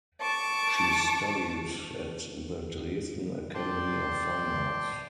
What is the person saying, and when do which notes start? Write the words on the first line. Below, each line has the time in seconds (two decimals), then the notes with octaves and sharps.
She studied at the Dresden Academy of Fine Arts.
0.21 A5 C#6 D6
3.55 D5 G5 A5 C6